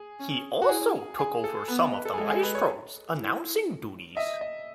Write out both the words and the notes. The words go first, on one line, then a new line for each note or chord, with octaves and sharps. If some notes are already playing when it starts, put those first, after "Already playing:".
He also took over some of the maestro's announcing duties.
Already playing: G#4
C#4
F#4
E4 G#4
G#4
A4
B3 B4
D#5
B4
A4
G#4
G#3 A4
G#4
B4
C#5
E4
D#5 E5
D#5